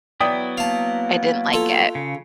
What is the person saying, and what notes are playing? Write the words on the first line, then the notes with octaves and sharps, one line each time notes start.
I didn't like it.
F#3 B3 E4 D5 G5 D#6
A#3 F5 A5
F4 A4
C#3